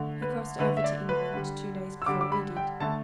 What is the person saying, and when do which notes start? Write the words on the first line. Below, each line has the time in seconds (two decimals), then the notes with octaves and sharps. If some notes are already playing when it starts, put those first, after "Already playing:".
He crossed over to England two days before we did.
Already playing: D3 A3
0.22 B4
0.59 D3 A3 B4
0.77 E5
0.84 D5
1.09 B4
1.34 D3 G3
2.02 E6
2.06 D3 G3 D6
2.21 D6
2.32 B5
2.57 G5
2.80 D3 A3 A5